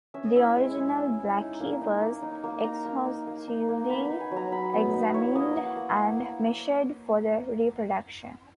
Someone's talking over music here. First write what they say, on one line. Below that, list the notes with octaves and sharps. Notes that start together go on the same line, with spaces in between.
The original Blackie was exhaustively examined and measured for the reproduction.
C#4 E5
D#5
E4 E5
G#3
G#3
C#4
E4
D#4
A#3
D#4
A#3
D#4
A#3
D#4 A#5
A#3
D#4
A#3
D#4
A#3
B3 B5
B5
D#4
G#5
F#3
A#5
F#3 B5
B3
D#4
E4 C#5
A#3 D#5
E4 F#5
A#3
E4
A#3